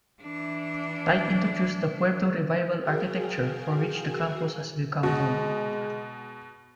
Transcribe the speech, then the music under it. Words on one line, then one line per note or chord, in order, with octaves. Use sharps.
Tight introduced the Pueblo Revival architecture for which the campus has become known.
E3 D4
F#4 G#4 A#4 F5 G5 G#5
B2 G#3 F#4